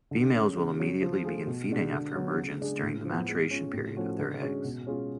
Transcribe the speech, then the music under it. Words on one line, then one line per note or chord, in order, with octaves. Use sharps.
Females will immediately begin feeding after emergence during the maturation period of their eggs.
D3
G#3 C#4
C#3
F#3 C#4 F#4
F3
A3 F4 G#4
B2
G#3 D4 F#4
D3
F#3 B3
C#3
G#3 D4 G#4
A2
F3 B3
G#3
C#4 F4
A2
F3 A3 C#4 F#4
D3
G#3 C#4 F#4
B2
G#3 C#4 F4 G#4